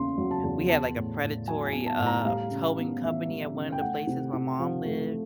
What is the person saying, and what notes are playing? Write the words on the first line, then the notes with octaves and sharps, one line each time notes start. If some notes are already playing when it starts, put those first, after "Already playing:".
we had, like, a predatory, uh, towing company at one of the places my mom lived,
Already playing: E2 C#3 A#3 C6
F#3
A5
E2
B3 A5
A2
A2
F#3 G#5
G#5
B3
A5
A2
A#5
G3 F5
C#3
B3
E3 E5
G3
C#3
G5
A3 F#5
C3
C3
F3
A3